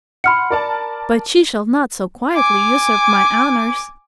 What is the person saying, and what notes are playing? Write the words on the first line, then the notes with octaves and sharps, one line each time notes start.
But she shall not so quietly usurp my honors.
F#5 B5 C6 F6 C#7
A#4 D5 A5
G#5 D6